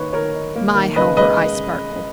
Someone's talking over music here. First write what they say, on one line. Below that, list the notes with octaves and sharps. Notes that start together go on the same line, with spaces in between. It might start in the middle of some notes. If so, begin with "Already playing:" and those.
My, how her eyes sparkled!
Already playing: D#3 A#3 B4 C#5 C#6
D#3 A#4 C#5
D#4
A#3
D#3
C#3 B4 D#5
G#3 B4 D#5